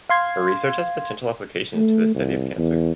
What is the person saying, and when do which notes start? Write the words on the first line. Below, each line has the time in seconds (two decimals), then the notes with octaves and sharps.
Her research has potential applications to the study of cancer.
0.09 F5 C6 G#6
1.75 A3
2.15 C2
2.58 E2